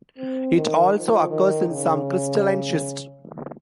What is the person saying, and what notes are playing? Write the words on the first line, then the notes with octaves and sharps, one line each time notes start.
It also occurs in some crystalline schist.
C4
D#3
F3
D#3
C#3